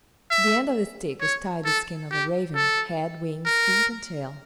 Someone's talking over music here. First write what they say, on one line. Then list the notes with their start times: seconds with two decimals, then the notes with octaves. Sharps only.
To the end of the stick was tied the skin of a raven--head, wings, feet, and tail.
0.30 E5
1.21 C#5
1.65 A4
2.11 G4
2.55 A4
3.45 A#4